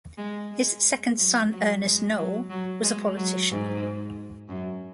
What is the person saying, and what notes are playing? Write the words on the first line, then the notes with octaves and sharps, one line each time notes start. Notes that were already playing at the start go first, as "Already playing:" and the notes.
His second son Ernest Noel was a politician.
G#3
G#3
F#3
F#3
G#3
F#3
F#3
G#3
F#3
G#2
F#2